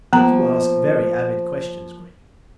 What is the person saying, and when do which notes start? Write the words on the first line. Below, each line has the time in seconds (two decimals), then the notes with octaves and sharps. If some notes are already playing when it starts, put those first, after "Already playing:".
"You ask very avid questions, Gregg!"
0.13 F3 A#3 B3 A#5